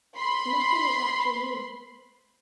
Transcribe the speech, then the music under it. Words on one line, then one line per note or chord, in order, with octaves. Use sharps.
Nothing is after you.
B5 C6